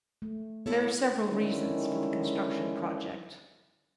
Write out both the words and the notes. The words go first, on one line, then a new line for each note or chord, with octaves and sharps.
There are several reasons for the construction project.
A3
B3 E4 A4 C#5
D3 D#3 G#3 C#4 E4